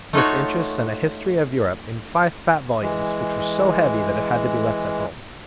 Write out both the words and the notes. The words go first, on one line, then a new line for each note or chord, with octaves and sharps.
Miss Inches sent a "History of Europe" in five fat volumes, which was so heavy that it had to be left at home.
A3 D#4 F4 F#4 C#5
E3 G#3